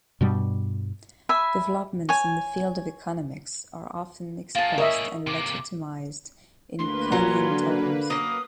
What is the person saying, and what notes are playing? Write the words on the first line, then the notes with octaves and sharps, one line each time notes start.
Developments in the field of economics are often expressed and legitimized in Kuhnian terms.
G2 B2 G3
E5 G#5 B5
C#5 G#5
A#3 F4 G#4 A5
A#4 C#5 D#5 E5
C3 A#3 D6
D2 A#3 B4 C6
A#2 F#3 C#4
D3
F#2 A#3 D#6